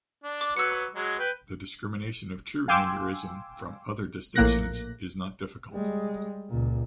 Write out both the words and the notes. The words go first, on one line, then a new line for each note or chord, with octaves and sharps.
The discrimination of true aneurysm from other distinctions is not difficult.
D4
D6
F#3 F#4 B4 E6 C#7
F#3 G#3
B4 G5
F5 G5 G#5 C6 D6 E6
A#1 A2 A#3 F#6 A#6
G3 G#3
C#2 A#2